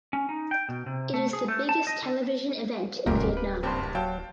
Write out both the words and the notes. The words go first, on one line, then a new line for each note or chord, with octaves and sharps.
It is the biggest television event in Vietnam.
C#4
D#4
G5
B2
C3
A3
G#4
A3
A5
D#5
D3
D1 C#2 F#2 A#2 G4 A#4 F5
B4
F#1 G2 C4 G4 C5
F#3 F5 G5 A5